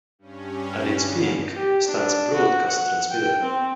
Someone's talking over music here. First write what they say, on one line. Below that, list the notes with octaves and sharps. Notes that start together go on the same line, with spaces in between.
At its peak stands a broadcast transmitter.
G2 C#4
B2 D3 G#3 A#3 G#4
G4
D4
F#4
F#5
G5
C4